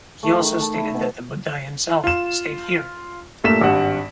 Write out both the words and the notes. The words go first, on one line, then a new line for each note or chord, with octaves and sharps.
He also stated that the Buddha himself stayed here.
A3
D#3
A5
E4
B2
F4 E7
G2 A#2 A3 A#3 B6 E7
G#1 G2 F#5